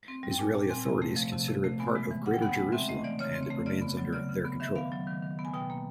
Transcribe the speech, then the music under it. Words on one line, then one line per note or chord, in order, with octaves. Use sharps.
Israeli authorities consider it part of Greater Jerusalem, and it remains under their control.
C4
G3
G5
A#2 G#5
A#2 A5
C4 G#5
C3 G#5
A3
F3
C3 A5
C3
A3
B3 G#5
G#3
E3
C#3 F#5
G5
B3 F#5
G#3
C4 E5
A3 D#5
E3 D5
C#3 C#5
C4
C#5
A3
C#3 D5
B3
F#3
C#3 D5
C#3
B3
D#3 E5
B3 F5
F#3
D#3
D#3
B3
G#5
B2 G5
A#3